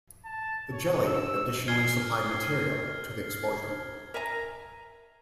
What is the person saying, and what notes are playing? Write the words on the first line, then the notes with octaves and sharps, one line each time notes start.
The jelly additionally supplied material to the explosion.
A5
C#5
E6
F6 G#6 C7 G7
A#4 E5 G#5 A#5